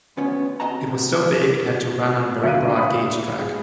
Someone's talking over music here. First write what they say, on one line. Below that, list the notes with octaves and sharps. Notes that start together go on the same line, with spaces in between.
It was so big it had to run on very broad gauge track.
D2 B3 C#4 C#5
C4 F#4 D#5 F#5 A5 A#5
D2 E5 F5 F#6 D#7
B5 D#6
G#3